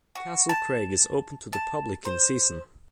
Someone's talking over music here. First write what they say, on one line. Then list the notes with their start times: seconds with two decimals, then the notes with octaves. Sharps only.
Castle Craig is open to the public in season.
0.15 F#4
0.49 A5
1.53 A5
2.05 C5